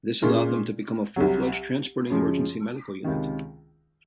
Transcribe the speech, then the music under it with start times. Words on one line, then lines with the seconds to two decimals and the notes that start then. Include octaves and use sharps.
This allowed them to become a full-fledged, transporting emergency medical unit.
0.22 A#2 G#3 C#4 F4 A#4
1.16 C2 C3 F#3
2.10 F#2 C#3 F3 G#3
3.04 C#2 C3 D#3